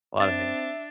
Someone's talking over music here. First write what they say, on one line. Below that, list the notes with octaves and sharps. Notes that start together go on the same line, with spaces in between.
a lotta hair.
C4 D4 E5 A6